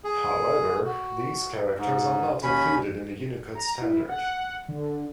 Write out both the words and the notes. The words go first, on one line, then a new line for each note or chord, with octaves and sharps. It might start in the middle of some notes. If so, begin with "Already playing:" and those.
However, these characters are not included in the Unicode standard.
G#4
F#4
G#2
D#2 C#4 B5
A#5
E4
F#5
D3